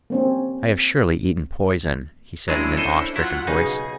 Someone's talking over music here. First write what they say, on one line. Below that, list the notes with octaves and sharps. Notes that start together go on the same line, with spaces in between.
"I have surely eaten poison," he said in an awe-stricken voice.
A#3 C4 C#4
F#3 G#3 C#4 D4 E4 G#4
A4 C5 D#5
F#3 E4 F4 F#5
B1 C#3 D#4 G#4